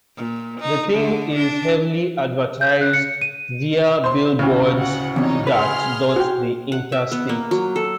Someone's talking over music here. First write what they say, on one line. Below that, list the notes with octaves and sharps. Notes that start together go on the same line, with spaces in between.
The Thing is heavily advertised via billboards that dot the interstate.
A#2
D#4
D3
D4
G6
F#6
C#7
D#7
C5 C6
D2 A2 C#3
F#5
E2 C3 D#4 C#5
G#4 B4 C6 F6
F#4 G5
F#5
E5
B3
A#3
F#3
A4